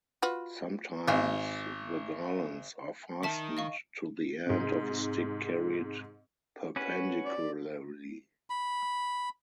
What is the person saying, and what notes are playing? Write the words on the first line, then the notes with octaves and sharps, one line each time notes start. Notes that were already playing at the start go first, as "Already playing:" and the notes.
Sometimes the garlands are fastened to the end of a stick carried perpendicularly.
F4 F#4 B4
G#1 E5 F5 G#5
D#3 E5 A5 B6
D#5 F5 C#6
G#2 C3
C#4 F#4 B4
D5
B5